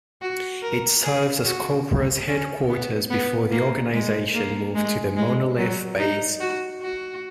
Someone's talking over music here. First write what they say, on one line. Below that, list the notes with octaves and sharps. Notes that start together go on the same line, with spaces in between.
It serves as Cobra's headquarters before the organization moved to the Monolith Base.
F#4
A#4
G#4
F#4
C#4
B3
B3
A#3
G#3
A#3
G#3
G#3
F#3
D#4
F#4
F#4